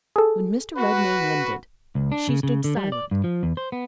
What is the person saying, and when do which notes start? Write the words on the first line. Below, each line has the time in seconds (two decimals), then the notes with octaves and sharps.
When Mr. Redmain ended, she stood silent.
0.16 G#4 A4
0.77 F#4 B4
1.95 C#2
2.12 D4
2.29 C#3
2.43 C#3
2.64 D3
2.77 G3
2.92 D5
3.11 G2
3.24 F3
3.43 E2
3.57 C5
3.72 B3